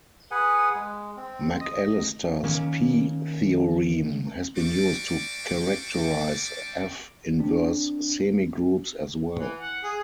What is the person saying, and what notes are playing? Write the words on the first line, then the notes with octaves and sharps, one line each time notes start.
McAlister's "P"-theorem has been used to characterize "F"-inverse semigroups as well.
G#4 B4 F#5 G#5
G#3
C4
D#5 D#6
D#5
D#3 A#3 C#4
G3 C4 D4 D5 C#6 D6
C4 D4
E3
F#5
G#4